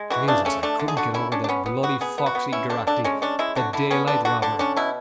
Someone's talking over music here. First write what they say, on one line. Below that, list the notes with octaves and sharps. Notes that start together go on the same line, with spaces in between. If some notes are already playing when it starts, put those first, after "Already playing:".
Jesus, I couldn't get over that bloody foxy Geraghty, the daylight robber.
Already playing: G#3
E3 F#4
C#3 D4
A3 C#4
A3 D4
D3
G#4
D3 F#4
C#4 E4
C#4 D4
D4
B3 C#4
B3
B3 F#4
B3 G#4
B3
F#4
B3
C#4 E4
D3 D4
D3 D4
G#3 C#4
C#4 D4
G#3 E4
D3 F#4
D3 E4
B3 C#4
D3 D4
D3 F#4
D3 D4
C#4 D4
B2 E4